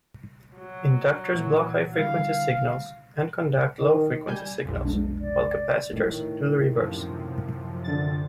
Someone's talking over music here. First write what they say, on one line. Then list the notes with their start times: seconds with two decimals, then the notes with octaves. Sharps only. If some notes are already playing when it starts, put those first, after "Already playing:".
Inductors block high-frequency signals and conduct low-frequency signals, while capacitors do the reverse.
0.57 F#3
1.34 A#2 E3
1.96 D3 G3 E4 F5
3.80 D#3
4.27 G3 G#5 G6
4.65 B1 F2
4.85 F1 G#3 D4
5.21 D5
5.93 A2 D#3
6.71 F#2 C3 F3
7.84 D3 A6